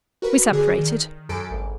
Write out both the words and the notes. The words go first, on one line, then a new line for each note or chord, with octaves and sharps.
We separated.
F#4 A#4 B4
D3 G#4 D5
D#3
F#2 A4 D7
G#1